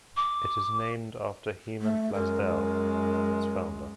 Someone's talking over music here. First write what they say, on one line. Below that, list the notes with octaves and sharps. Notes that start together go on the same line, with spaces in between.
It is named after Heman Blasdell, its founder.
D6
A3
F#2 G#3 A#4
A#4